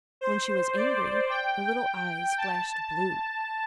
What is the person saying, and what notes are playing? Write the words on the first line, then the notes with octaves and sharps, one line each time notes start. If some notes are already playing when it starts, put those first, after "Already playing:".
When she was angry, her little eyes flashed blue.
C5
D5
G5
A5